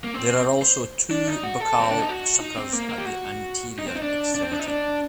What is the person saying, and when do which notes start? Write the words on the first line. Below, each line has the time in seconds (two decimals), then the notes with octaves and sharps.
There are also two buccal suckers at the anterior extremity.
0.04 A#3
0.14 C4
0.62 C5
1.11 D4
1.28 D#4
1.44 F#4
1.60 A4
1.79 C4
1.90 D4
1.99 D#4
2.09 F#4
2.40 D#4
2.57 C4
2.73 A#3
2.89 A#3
2.98 G4
3.06 F#4
3.79 D#4
3.87 C4
3.95 D#4
4.02 D4
4.35 D4
4.43 C4
4.51 D4
4.59 D#4
4.68 D4